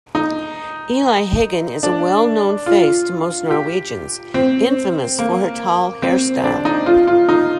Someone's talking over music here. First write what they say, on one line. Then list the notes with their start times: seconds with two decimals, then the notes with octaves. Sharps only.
Eli Hagen is a well-known face to most Norwegians, infamous for her tall hairstyle.
0.15 D#4
1.83 D4
2.66 F4
3.51 G4
4.34 C4
5.19 A#3
6.02 C4
6.44 D4
6.65 D#4
6.86 F4
7.07 F4
7.29 D#4